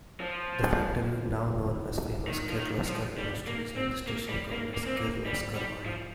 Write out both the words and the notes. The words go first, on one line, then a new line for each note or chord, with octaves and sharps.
The factory now known as famous Kirloskar Industries and the station called as Kirloskarwadi.
F3
D#3
F3
D#3
F3
G3
A#3
C4
A#3
G3
A#3
A#3
C4
A#3
G3
G3
F3